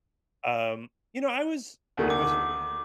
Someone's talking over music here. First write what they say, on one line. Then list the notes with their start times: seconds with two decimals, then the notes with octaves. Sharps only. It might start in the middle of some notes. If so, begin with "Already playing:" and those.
um You know, I was I was
1.97 D2 D#3
2.10 D6